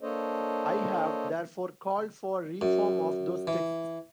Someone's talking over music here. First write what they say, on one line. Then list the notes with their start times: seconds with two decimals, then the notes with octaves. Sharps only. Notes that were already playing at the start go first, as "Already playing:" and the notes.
I have therefore called for reform of those texts...
0.01 A#3 D4 A4 C5 C#5 D#5
2.61 F#2
3.47 E3